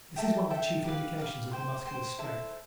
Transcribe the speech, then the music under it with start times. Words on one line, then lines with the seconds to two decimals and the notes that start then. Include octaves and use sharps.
This is one of the chief indications of the Muscular's strength.
0.16 A4 E5 G5
0.50 A4 E5 G5
0.84 G4 B4 F5
1.18 G4 B4 F5
1.52 C5 G5 C6
1.86 C5 G5 C6
2.18 E4 A4 C5